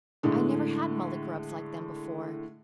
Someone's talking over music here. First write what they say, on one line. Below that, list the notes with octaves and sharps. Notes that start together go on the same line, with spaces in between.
I never had mullygrubs like them before.
A2 D3 G#3